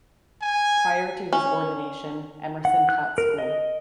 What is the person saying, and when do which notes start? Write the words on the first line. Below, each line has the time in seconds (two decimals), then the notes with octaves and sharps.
Prior to his ordination, Emerson taught school.
0.42 G#5
1.33 C#4
2.65 F#5
2.89 F#6
3.18 A#4
3.38 D#5